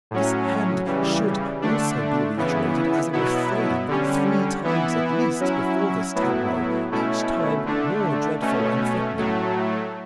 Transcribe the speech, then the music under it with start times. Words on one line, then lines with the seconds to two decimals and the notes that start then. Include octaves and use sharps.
This hand should also be reiterated as a refrain, three times at least, before this tableau, each time more dreadful and threatening.
0.11 A2 F#3 C#4
0.86 C#3 E3 G3
1.62 D3 A3 D4
2.37 C#3 E3 B3 E4
3.13 B2 F#3 B3 E4
3.88 D3 G3 C#4
4.64 E3 B3 E4
5.40 F#3 C#4 E4
6.15 A2 F#3 B3 E4
6.91 B2 A3 C#4 E4
7.66 D3 A3 D4
8.42 B2 A3 C#4
9.18 A2 F#3 A3